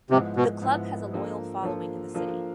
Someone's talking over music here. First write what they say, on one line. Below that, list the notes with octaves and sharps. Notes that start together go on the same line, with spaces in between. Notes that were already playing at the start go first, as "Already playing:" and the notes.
The club has a loyal following in the city.
G#2 C3 F3 G#3 B3 E4
B2
G#2 F3 G#3 B3 E4
F3 A#3 D4 F4 A4
F3 A#3 D4 F4 A4
F3 A#3 D4 F4 A4